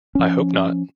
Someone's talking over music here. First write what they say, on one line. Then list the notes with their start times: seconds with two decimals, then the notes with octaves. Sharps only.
I hope not.
0.15 F3 C#4